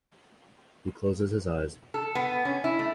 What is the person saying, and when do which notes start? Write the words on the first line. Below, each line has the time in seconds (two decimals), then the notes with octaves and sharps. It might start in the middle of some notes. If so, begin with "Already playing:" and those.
He closes his eyes.
1.94 A4
2.15 B3
2.45 C#4
2.64 E4
2.79 A3